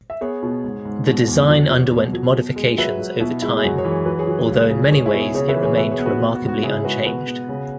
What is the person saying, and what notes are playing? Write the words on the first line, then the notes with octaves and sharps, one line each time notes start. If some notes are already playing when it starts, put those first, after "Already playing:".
The design underwent modifications over time, although in many ways it remained remarkably unchanged.
E5
B3 G#4 C#5
B2
G#2
G#2
B2
E2
F#3
F#3
B2
F#3
B2
G#3
F#3 B4 E5
F#3
B2 E4
G#3 E4
G#4
F#2 F#4
G#4 C#5
E3
C#5
F#3 B4
G#4 C#5
F#3
C#2
C#3
G#3 G#4 C#5
E4 G#4
B2
G#4 C#5
C#3 G#4 C#5
B4 E5
E3
G#4 C#5
B2 B4 E5
G#4 C#5
B3
F#4 B4
B3
F#4
G#2
F#4
C#3 E4 G#4
G#3 F#4 B4
B2 F#4 B4
B3
C#3